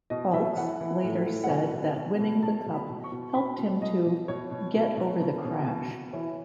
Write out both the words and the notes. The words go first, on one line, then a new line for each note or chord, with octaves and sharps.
Foulkes later said that winning the Cup helped him to "get over the crash".
B2 D#5
B2 E5
E3 F#5
E3
A2
A2
F#5
B2 G#5
B2
B2
B2
B2 A5
B2
B5
B2
C#6
B2
B2 B5
B2
B2 D#5
B2
B2 C#5
B2
B2
B2
B2
B2
B2
B2
E3 C#5